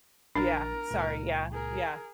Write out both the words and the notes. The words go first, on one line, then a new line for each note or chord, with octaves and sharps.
Yeah. Sorry, yeah, yeah.
A#1 D4 A#4 A6
C#2 A#2
G#4 A#4